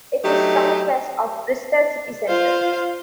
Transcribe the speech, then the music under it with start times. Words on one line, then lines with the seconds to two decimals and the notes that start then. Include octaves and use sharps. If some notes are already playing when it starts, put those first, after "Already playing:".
It is southwest of Bristol city centre.
0.25 F#3 A3 D#4 G4
2.27 F4 C5 F5